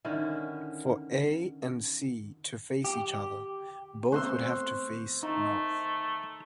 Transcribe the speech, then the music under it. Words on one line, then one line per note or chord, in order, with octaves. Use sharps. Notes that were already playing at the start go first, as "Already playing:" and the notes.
For A and C to face each other, both would have to face North.
D3 D#3 C#4 E4
G4
A3 B3 C4 C5 C6 C#6 E6 F#6
A3 D#4 A#5